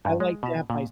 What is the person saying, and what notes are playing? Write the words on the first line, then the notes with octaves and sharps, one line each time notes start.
I like to have my s
G2
G#3
B2
A#2